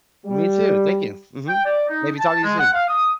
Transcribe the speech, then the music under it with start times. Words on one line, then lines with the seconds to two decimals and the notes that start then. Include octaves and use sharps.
Me too, thank you, mhm. Maybe talk to you soon.
0.25 G3
1.48 G5
1.65 D5
1.88 D#4
2.19 A5
2.44 G#3
2.59 F#5
2.73 F5
2.88 D#6